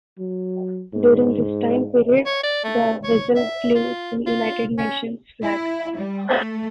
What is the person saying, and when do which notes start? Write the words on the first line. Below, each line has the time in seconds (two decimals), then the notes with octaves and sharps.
During this time period, the vessel flew the United Nations flag.
0.19 F#3
0.93 G#2
2.26 C#5
2.43 D5
2.64 A3
3.04 C#5
3.35 E5
3.75 F4
4.26 F4
4.78 C#4
5.43 E4
5.99 G3
6.31 A3